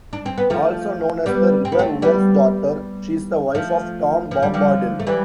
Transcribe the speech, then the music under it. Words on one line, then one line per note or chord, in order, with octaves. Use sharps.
Also known as the "River-woman's daughter", she is the wife of Tom Bombadil.
D4
C4
B3
F3 A3
G3 B3
C4
B3
A3 C4
G3 B3
F3 A3
F3
G3
D3 F3
A3
E3 G3